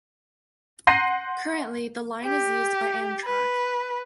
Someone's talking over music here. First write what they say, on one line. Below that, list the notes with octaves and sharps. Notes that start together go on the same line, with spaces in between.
Currently, the line is used by Amtrak.
F#5 C6 G6 A#6 C7 D#7
G4
B4